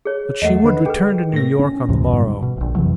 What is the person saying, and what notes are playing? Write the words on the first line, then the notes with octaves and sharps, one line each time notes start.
But she would return to New York on the morrow.
G#4 C#5
E2 A3 D#5 F#5
D3 B4
G#4 A4 B4 G5
A2 A#3 A#6
C#4
C#2 G2 C3 E3
G#2 B2 D3 G3
B2
E1 A#1
F2 C3 E3 F#3